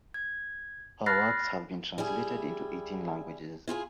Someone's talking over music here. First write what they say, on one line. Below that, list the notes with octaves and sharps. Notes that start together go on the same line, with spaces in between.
Her works have been translated into eighteen languages.
G#6
B5 F6 F#6 A6 A#6 C7
G3 E4 G#4
E4 F4 G4 G#4